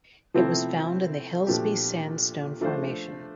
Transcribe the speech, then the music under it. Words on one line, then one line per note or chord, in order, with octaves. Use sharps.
It was found in the Helsby Sandstone Formation.
C3 F3 A3 C4 E4
A#2 F3 A3 D4 G4
F3 A3 D4 F4 C5